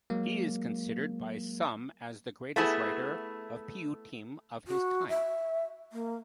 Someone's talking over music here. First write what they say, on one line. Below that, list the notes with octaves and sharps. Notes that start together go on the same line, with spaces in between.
He is considered by some as the greatest writer of piyyutim of his time.
F#3 G#3 A#3
A3 B3 E4 G#4
F#4
E5
A#3